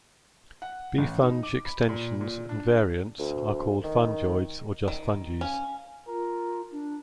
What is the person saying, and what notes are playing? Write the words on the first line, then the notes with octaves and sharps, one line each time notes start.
Befunge-extensions and variants are called "Fungeoids" or just "Funges".
F#5
A1
D#4
D6
B5
A#2
A#2
D4
D2
D#3
D#3
C#4 F5 G#5
F4 A#4
D4